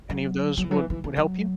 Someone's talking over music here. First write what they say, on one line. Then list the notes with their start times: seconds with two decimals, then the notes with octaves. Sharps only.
any of those would would help you?
0.10 F#3
0.57 F#3
0.63 E3
0.71 F#3
0.77 E3
0.90 E3
1.04 E3
1.17 F#3